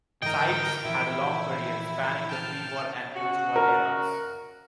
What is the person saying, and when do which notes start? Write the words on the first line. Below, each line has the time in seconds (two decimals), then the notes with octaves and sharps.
Sykes had a long career, spanning the pre-war and postwar eras.
0.22 G#2 D3 E3 A#4 D#5 G5
0.85 A#2 E3 F3 E4
2.29 G5 A5 F6
3.15 C#3 F#4
3.56 A#4